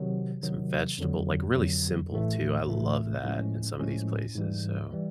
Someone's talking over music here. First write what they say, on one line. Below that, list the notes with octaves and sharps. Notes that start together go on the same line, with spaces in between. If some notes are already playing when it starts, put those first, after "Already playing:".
some vegetable like, really simple too, I love that in some of these places, so,
Already playing: C3 D#3 F#3
C3 D#3 F#3
F2 D3 F#3
F2 D3 F#3
A1 A2 E3 A3
A1 A2 E3 A3
A2 F3 G#3 C#4
A2 F3 G#3 C#4
G#2 E3 G3
E3 G3